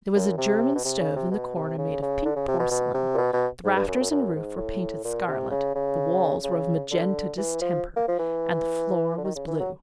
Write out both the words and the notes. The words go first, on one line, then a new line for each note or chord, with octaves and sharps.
There was a German stove in the corner made of pink porcelain, the rafters and roof were painted scarlet, the walls were of magenta distemper and the floor was blue.
F#2
C3
B2
C3
C#3
C3
B2
C3
C#3
C#3
D3
C#3
C3
B2
B2
C3
A#2
B2
B2
G#2
G2
F#2
F#2
F#2
G#2
A2
A#2
C3
C#3
C#3
C#3
D3
E3
F3
A#3
F3
E3
D3
D#3
C#3
E3
F#3